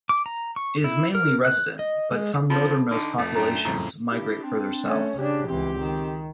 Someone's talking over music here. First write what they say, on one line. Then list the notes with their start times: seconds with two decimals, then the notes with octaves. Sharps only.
It is mainly resident, but some northernmost populations migrate further south.
0.09 D6
0.26 A#5
0.56 C#6
0.84 E4
1.15 A#4
1.45 F#6
1.79 D#5
2.11 G#3
2.50 F3 C4 A4 A5 B5
2.91 D3 D#4
3.18 F2 A3
3.35 F#2 D4 G5 A#5
3.65 F2 A2 C#3 A#5
4.10 D4 E4 G4
4.43 C4 D4
4.85 A3 C#4
5.18 C#3 D4 G4
5.48 C#2 E3 C4 G4
5.80 D#3